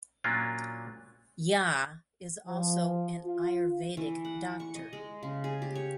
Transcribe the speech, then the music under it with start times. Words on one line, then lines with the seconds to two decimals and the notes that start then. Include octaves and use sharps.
Jha is also an Ayurvedic Doctor.
0.24 A#2 F#3 A#3 C#4 D4 F4
2.46 F3
3.25 F4
3.97 E3
4.25 F#5
4.60 C#6
4.75 D#5
4.93 G#3
5.23 C#3
5.44 G#4
5.62 G4
5.75 C#5